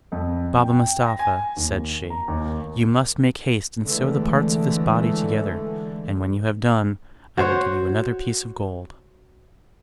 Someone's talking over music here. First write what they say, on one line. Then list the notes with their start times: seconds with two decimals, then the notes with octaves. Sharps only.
"Baba Mustapha," said she, "you must make haste and sew the parts of this body together; and when you have done, I will give you another piece of gold."
0.12 F2
0.61 G5
1.06 A#6
1.19 G#5
1.56 D#2
2.10 A#5
2.28 D#2
3.84 D3 E3 G#3 A3
7.37 F#4 C5 C#5